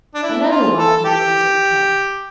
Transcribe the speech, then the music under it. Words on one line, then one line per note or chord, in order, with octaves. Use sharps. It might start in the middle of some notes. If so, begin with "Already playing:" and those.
Another white man was in camp.
D4
E4
F4
A4
A4
G4